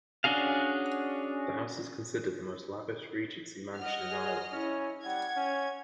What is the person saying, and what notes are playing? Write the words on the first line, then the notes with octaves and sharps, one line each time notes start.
The house is considered the most lavish Regency mansion in Ireland.
C#4 D4 F#4 G#4 F5
D#5 F#5 F6
G#4
C#4 E4
G3 F#5 G#6
C#4